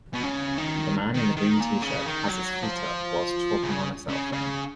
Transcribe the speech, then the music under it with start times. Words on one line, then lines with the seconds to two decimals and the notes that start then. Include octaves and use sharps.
The man in the green tshirt has his feet up whilst talking on a cellphone.
0.13 B2
0.23 C#3
0.58 D#3
1.14 D#3
1.36 D#3
1.60 A#2
1.82 C#3
2.06 D#3
2.28 F#3
2.62 F3
3.64 C#3
4.09 C#3
4.33 C#3